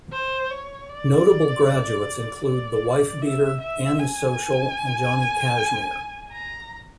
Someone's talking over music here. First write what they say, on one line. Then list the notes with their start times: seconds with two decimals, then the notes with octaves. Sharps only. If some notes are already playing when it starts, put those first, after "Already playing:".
Notable graduates include The Wifebeater, Annie Social, and Johnny Kashmere.
0.12 C5
0.51 C#5
0.90 D5
2.45 D5
3.22 E5
3.61 E5
3.99 G#5
6.32 A#5